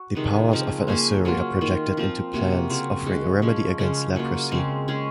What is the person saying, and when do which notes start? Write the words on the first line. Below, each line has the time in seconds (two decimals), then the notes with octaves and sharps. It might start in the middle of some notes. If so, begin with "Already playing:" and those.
The powers of an Asuri are projected into plants offering a remedy against leprosy.
Already playing: F#4
0.15 C3 D#3 G#3 D#4
0.52 C#3 F3 C4 F4
0.88 A#3 C#4 G#4
1.25 F#3 A#3 F4
1.61 D#3 A#3 F4
1.97 F3 C4 F4
2.34 C3 F#3 A#3
2.70 C#3 F#3 C4 F4
3.06 G#3 C#4 F#4
3.42 F3 G#3 C#4
3.79 C#3 G#3 C#4 F4
4.16 F#3 A#3 F4
4.51 C#3 G#3 C4
4.88 G#3 C#4 G#4